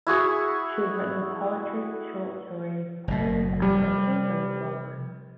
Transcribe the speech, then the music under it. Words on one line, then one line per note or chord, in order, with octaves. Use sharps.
She has written poetry, short stories, plays, and a children's book.
E4 F#4 G#4 C#6
F#1 B2
C3 F3 G3